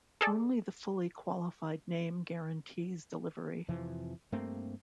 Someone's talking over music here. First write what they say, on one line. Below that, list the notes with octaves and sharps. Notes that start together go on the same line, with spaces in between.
Only the fully qualified name guarantees delivery.
G#4 A4 D5
F2 C3 E3 F3
G2 A3 A#3 C4